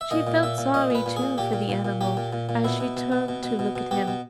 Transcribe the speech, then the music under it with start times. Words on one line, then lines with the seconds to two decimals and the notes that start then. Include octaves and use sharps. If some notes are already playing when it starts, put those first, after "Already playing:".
She felt sorry, too, for the animal as she turned to look at him.
0.01 E5
0.11 A#2 D#5
0.27 A#2
0.43 A#2 E5
0.58 A#2
0.74 A#2 D#5
0.90 A#2 B4
1.06 A#2
1.16 G#4
1.22 A#2
1.38 A#2 G4
1.53 A#2
1.69 A#2
1.85 A#2
2.01 A#2 G4
2.17 A#2
2.33 A#2
2.49 A#2
2.64 B2 E4
2.80 B2
2.97 B2
3.12 B2
3.28 B2
3.44 B2
3.59 B2
3.76 B2
3.91 B2 G4
4.08 B2